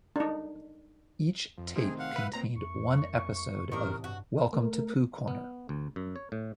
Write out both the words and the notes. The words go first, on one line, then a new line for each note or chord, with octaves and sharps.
Each tape contained one episode of "Welcome to Pooh Corner".
D4 D#4
F2
A2 C3 D#3 C4 G#4
F5 F#5
B4 E5
A#2 B3 C4 A#5
C2 F2 A3 C#6
A1 C3 D#3 D4 A#4 D#6
G2 F#4
A3 A#4
B3
D2
F#2
C#5
A2